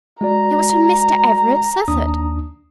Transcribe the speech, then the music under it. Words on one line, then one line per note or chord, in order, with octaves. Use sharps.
"It was from Mr. Everett Southard."
G#3 F#4 D5 A#5
D#2 D4 D#6